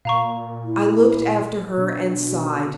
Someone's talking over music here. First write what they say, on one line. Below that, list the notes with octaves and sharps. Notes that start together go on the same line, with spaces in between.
I looked after her and sighed.
A#2 F5 A#5 C#6
E4
B2 D4